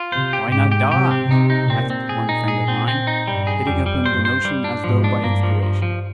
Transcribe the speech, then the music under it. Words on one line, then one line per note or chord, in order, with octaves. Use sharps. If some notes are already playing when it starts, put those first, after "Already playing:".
"Why not Dogs?" asked one friend of mine, hitting upon the notion as though by inspiration.
Already playing: F4
C3 C5
G4
G#2 G4
G4
C3 G4
C4
C3 D#4
D#4
A#2 C4
C4
A#2 G#4
D#4
G#4
C4
C4
D#4
G2 G3
G#4
F2 G3
G3
G2 C5
C5
G3
D4
G#2 F3
D4
G2 A#3
F3
F3
F3